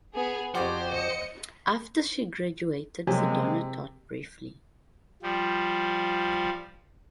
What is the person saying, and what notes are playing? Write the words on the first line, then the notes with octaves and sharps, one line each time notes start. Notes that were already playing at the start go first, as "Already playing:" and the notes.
After she graduated Sedona taught briefly.
B3 G#4
F2 F3 F#4 G4 C5 D5 G#5
D#5 C#7
C3 F3 F#3 G#3 A#3 C4 G#5
F3 G3